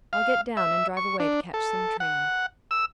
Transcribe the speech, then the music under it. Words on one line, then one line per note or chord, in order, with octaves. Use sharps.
I'll get down and drive away to catch some train.
F5
E5
C#6
D4
A4
F#5
E6